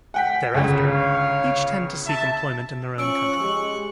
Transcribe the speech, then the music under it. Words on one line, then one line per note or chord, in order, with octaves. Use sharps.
Thereafter, each tend to seek employment in their own country.
F#5 G5 B6
G1 C#2 C#3
C#5 F5
E5 A5
F3 C#4 C#6 E6 F#6 D7
G#3 G4